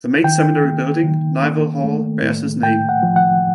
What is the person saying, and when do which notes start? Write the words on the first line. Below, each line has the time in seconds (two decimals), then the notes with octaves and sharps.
The main seminary building, Nyvall hall, bears his name.
0.24 D#3 G5
0.64 A#3
1.03 D#3
1.43 A#3
1.83 A3
2.22 A2
2.62 A2 G5
2.89 F#5
3.03 F3
3.16 F#5